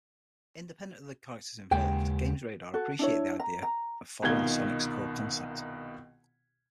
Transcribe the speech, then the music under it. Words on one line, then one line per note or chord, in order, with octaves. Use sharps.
Independent of the characters involved, GamesRadar appreciated the idea of following Sonic's core concept.
D#2 C#3 G#3 G4 G5
F#4 A4
D4 E4 C#5
A#5
A#5
C2 B2 D#3 F4 G#6 G7